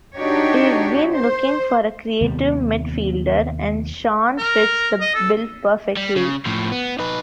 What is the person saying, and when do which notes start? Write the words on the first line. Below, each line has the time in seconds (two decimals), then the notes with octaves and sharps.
We've been looking for a creative midfielder and Sean fits the bill perfectly.
0.16 D4 D#4 F#4 G4 C#5
1.12 C5
2.21 D#2 C3 G3 B3
4.38 A#4
5.01 D#5
5.15 A4
5.97 G3
6.16 C#3
6.46 A2 F3
6.72 B3
6.99 D#4 B4